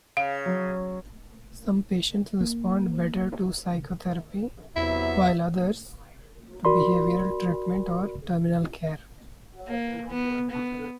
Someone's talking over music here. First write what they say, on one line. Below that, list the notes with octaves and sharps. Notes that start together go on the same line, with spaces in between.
Some patients respond better to psychotherapy, while others to behavioral treatment or terminal care.
C#3 F5
F#3
A#3
E2 C3 F#3 B3 E4 E5
F#4 A#4 D5 B5 C6
A#3
B3
B3